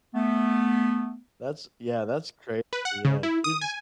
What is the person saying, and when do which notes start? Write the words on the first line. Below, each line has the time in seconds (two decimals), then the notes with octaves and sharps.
That's yeah, that's crazy, yeah. Kids
0.15 A3 B3
2.73 B4
2.85 F#5
3.05 C#3
3.23 E4
3.44 D#6
3.61 G#5